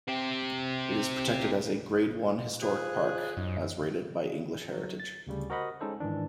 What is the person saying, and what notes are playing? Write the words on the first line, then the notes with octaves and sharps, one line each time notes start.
It is protected as a Grade One historic park, as rated by English Heritage.
C4 G4
F3 G#4 F#6
F#2 D#4
F#3
A6
D2 C#3 G3
F#4 A#4 C5 D#5 F#5 B5
G#3 C#4 D#4 A4 C5
G#2 D#3 E3 D4